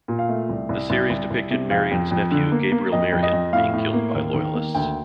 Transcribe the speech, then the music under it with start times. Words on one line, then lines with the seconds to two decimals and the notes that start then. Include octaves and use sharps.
The series depicted Marion's nephew Gabriel Marion being killed by Loyalists.
0.08 A#2
0.19 F5
0.29 A3
0.49 C2
0.69 C2
0.90 C2
1.10 C2
1.30 C2
1.51 C3
1.70 F2 F5
1.91 F2
2.11 F2
2.31 D3
2.52 A#3
2.72 A#3
2.92 F2 D#5
3.12 F2
3.23 D#5
3.33 F2
3.53 A2 F5
3.73 A2
3.94 A#3
4.14 D#2
4.34 D#3
4.54 A#3
4.74 D2 G5